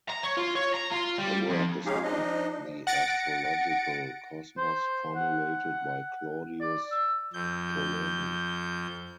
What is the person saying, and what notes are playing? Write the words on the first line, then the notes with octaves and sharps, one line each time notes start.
The work assumed the astrological cosmos formulated by Claudius Ptolemy.
A#5
C#5
F4
C#5
A#5
F4
G3
F2
G#3 C#4 D#4 G4 G#4 F5
F3 D4 D#4 D#5
F#5 A6 A#6 C#7 D7
C5
F#5
D5
E6
F2 G6